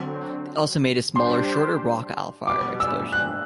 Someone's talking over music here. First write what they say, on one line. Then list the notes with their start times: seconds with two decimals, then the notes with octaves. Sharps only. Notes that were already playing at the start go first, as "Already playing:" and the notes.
They also made a smaller, shorter Rock-afire Explosion.
Already playing: D3 F#3 C4
1.16 G3 D4 G4 C5 C6
2.47 B2 G3 B3 D6
2.80 E6
3.12 F#6